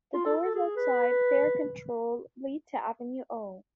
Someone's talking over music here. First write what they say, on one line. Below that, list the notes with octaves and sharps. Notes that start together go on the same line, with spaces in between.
The doors outside fare control lead to Avenue O.
F4
A4
A4
G#4
B4